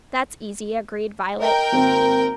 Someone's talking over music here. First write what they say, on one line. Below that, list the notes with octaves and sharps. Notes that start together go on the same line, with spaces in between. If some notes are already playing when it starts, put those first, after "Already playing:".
"That's easy," agreed Violet.
A#4 D#5 G5
G#1 A#3 C4